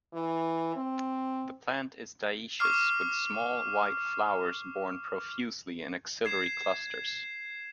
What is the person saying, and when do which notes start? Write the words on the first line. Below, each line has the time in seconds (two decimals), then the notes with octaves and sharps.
The plant is dioecious, with small white flowers borne profusely in axillary clusters.
0.13 E3
0.76 C4
2.59 C#6 D6 F6 C7
6.25 G#6 C7 E7